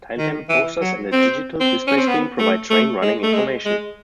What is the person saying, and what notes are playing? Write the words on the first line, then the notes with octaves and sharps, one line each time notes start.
Timetable posters and a digital display screen provide train running information.
D#3
E3
F#3
C4
C4
C#4
C4
B3
A3
A3
G#3
A3
G#3
G#3